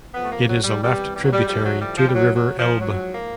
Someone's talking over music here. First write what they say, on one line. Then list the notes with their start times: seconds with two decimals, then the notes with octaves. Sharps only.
It is a left tributary to the river Elbe.
0.14 F2 C3 F3 B3
0.23 A3
0.31 A#3
0.48 F#3
0.64 G3
0.81 E2 C3 E3 G3
1.15 G3
1.23 F#3
1.32 G3
1.48 A2 F3 G3
1.64 F#3
1.81 G3
1.97 F3
2.09 G3
2.14 A#2 F3 F#3
2.36 F#3
2.58 F3
2.80 G#2 F3 F#3
3.14 A#3